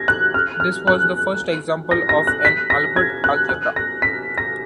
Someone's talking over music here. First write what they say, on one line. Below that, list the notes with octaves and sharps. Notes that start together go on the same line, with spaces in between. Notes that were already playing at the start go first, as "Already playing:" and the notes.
This was the first example of an Albert algebra.
Already playing: G#6 A#6
F#6
F6
F6
F#6
A#6
A#6
F#6
B6
A#6
G#6
F#6
F#6
A#6
B6
A#6